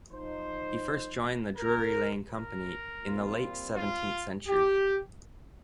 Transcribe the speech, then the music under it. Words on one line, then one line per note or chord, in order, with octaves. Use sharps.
He first joined the Drury Lane company in the late seventeenth century.
F3 D#4 C5
A#4
A#4
A#2 G3 C4 F4
F4
G4